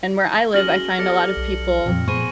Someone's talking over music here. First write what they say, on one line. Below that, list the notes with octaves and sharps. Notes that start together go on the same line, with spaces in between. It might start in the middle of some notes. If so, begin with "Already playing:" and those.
and where I live, I find a lot of people
C#4 F#4 G#4 F6 A#6 F#7
G4 A4 D5 A#6 C#7
B1
F2 A#2
A#2 B3 G#4 C5 C#6 D#7